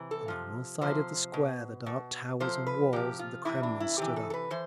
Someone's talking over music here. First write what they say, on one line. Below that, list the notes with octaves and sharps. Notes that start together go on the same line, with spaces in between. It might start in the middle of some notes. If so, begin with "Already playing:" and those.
Along one side of the square the dark towers and walls of the Kremlin stood up.
Already playing: C3 E3
A4
C3 F3
C3 F3 C5
B2
B2
C3 F3 C5
B4
C3 F3 G4
F4
C3 E3 E4
D4
E4
C3 E3 G4
A4
A4
B4
E3 C5